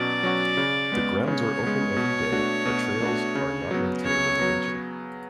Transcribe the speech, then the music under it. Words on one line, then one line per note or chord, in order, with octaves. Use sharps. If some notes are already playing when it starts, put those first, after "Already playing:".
The grounds are open every day, but trails are not maintained in the winter.
Already playing: B2 F#3 C#4 F#4 D5
F#3 C#4 F#4
C#3
G#3 B3
C#3 C#5
G#3 B3
B2
A3 D4 F#4
B2
A3 D4 F#4
C#3
F#3 B3
C#3 C#5
F#3 B3